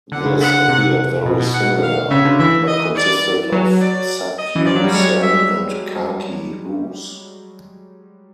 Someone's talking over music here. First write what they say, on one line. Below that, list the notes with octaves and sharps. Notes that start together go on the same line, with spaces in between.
This appeared very similar, but consisted of subdued sand and khaki hues.
D3 F#5
C#3
F#5
C3
B2
B2
F#5
F5
C#3 E5
D3
E3 E5
D#5
D5
F#3
D5
D#5
E3
F3 D5
F#3
G3
G#3 C#5
E5